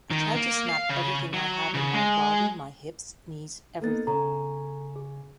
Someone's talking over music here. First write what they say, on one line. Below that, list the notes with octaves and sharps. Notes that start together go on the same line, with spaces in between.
I try to snap everything I have in my body-my hips, knees, everything.
D#3
A#3
F5
C#3
F#3
C#3
G#3
A#3 B3 D#4 A4 A6
C#3 A4 A#5
G#4